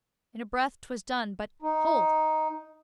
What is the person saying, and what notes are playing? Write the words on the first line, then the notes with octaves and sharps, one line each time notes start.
In a breath 'twas done but--hold!
D#4